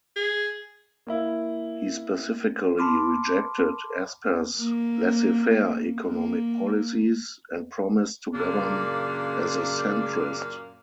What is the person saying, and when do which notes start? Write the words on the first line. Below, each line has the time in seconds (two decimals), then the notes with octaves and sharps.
He specifically rejected Asper's laissez-faire economic policies, and promised to govern as a centrist.
0.16 G#4
1.07 A#3 E4
2.78 A5 B5 C6 D6 F6
4.57 A#3
6.08 A#3
8.34 F#2 A#2 C#3 A#3 D4